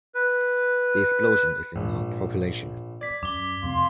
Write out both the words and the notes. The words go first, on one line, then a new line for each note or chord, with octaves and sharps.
The explosion is in our population.
B4
A#1 G#2
D5 G#6 B6
F#2 D6 G7
F2 C3 F5 C6